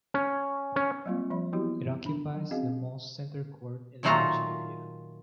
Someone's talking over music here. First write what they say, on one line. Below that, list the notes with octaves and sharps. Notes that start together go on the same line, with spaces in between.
It occupies the mall's center court and lounge area.
C#4
C#4
F#3 G3 A#3 C4 F4
F3 G3 D5 E5 B5
E3 F#3 B3 E4 F#4 G4
D4 B5
F#3
C4 C#4 F#4 G#4 D#5 F5
A#2 D#3 F#3 A3 F4 A#5